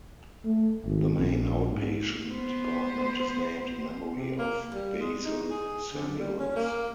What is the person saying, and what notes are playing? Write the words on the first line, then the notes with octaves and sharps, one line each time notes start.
The main outpatient department is named in memory of Basil Samuels.
A3
G#1
A#1
G#2
B3 C5
C3
A#3
G3
G#3
D#4
G#4
D3
G3
C#4
A#3